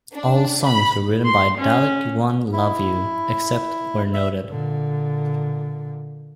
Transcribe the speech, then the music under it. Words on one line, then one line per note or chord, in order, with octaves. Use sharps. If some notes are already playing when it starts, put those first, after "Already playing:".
All songs were written by Dalek One Love You, except where noted.
D4
B5
C6
C#4
E4
E5
A#2 D3